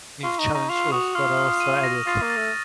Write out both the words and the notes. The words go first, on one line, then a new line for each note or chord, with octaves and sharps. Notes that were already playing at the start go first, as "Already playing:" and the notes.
New challenge rules were also added.
F4 C#6
D#4
C#6
D#4
F4 F7
F#4 D#6
F4 F6
F6
D#7
A#6
F4 A6
A#3
A6
A3